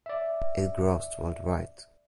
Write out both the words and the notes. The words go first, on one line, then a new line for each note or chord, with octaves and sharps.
It grossed worldwide.
D5 E5